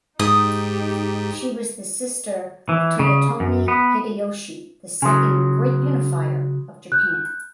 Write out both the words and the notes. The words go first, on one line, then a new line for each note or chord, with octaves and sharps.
She was the sister of Toyotomi Hideyoshi the second "Great Unifier" of Japan.
G#2 D#4 G4 D#6
E3
C#3
F#2
B3
C#3 F#3 G#5 C6 D#6
F#6 G6